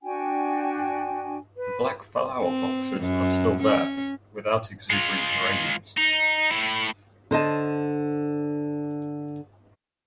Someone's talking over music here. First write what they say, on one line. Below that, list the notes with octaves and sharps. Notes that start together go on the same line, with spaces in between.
The black flower boxes are still there, without exuberant geraniums.
D4 F#4 G5 G#5
B4
C4
F#2
C#4
G#3 F4
D#4
A2 E4
D3 C5 D#5 A5